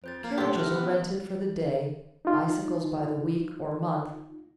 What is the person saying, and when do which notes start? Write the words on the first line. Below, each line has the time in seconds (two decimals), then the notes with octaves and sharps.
Carriages are rented for the day, bicycles by the week or month.
0.04 F2 C5 G6 A6
0.24 A#3 G#6
0.38 B1 A3 G4 G5 C6 E6
0.55 E5 F6 F#6
0.70 B3
0.82 C#4
2.25 D#4 F4